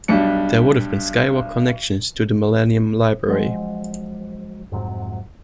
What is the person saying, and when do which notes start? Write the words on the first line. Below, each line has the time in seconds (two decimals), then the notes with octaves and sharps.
There would have been skywalk connections to the Millennium Library.
0.08 B1 G3 D4 C#7
3.28 F3 F#3 G#3 C#4
4.72 F2 G#2 C3 F#3